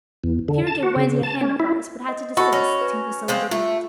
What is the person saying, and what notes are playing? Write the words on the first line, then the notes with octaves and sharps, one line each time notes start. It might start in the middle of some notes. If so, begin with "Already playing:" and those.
Peter gave Wendy a hand at first, but had to desist, Tink was so indignant.
E2
D3
A5
F#4
C#3
A5
C#4
E4
D#5
F#4 A4 D#5 B5
C#4 A#6
B4
F3 G#3 C4
A3 F4